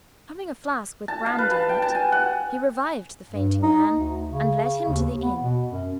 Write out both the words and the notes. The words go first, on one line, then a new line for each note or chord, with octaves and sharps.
Having a flask with brandy in it, he revived the fainting man, and led him to the inn.
A5
F5
B4
A5
G5
A5
G#5
F#5
G2
D#4
D2
C#3
D#2
B3
B2
F#2